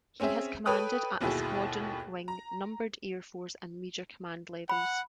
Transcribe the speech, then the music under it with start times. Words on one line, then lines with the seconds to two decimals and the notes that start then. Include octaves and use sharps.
He has commanded at the squadron, wing, numbered air force and major command levels.
0.20 C4 C#4 G#4 C5 E5
0.65 A4 B4 C#5 G5 D#6 F#6
1.21 G1 D#2 B2 E4 G#4
2.28 A#5
4.69 F#5 B5